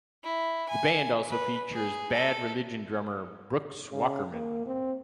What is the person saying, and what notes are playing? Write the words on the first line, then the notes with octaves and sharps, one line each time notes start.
The band also features Bad Religion drummer Brooks Wackerman.
E4
G#5
B4
G#4
A4
C#3
A#3
C4